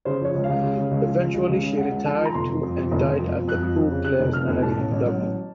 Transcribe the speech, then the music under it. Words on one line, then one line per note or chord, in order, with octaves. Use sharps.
Eventually she retired to and died at the Poor Clares nunnery in Dublin.
C#3 C5
F3 C#5
C#2
F5
C#2
C#3
C#3
C#2
F3
C#2
C#2
C#2
C#3
C#3 F#5
C#2
F3 A5
F3 A#5
F1 C6
F2
F2
F2
F1
F1
F2
F2
F2 F#6
F2
F2
C#3
C#3 F#6
F1
F2 F6
F1
A2 A5
A1
A1
F#3
A1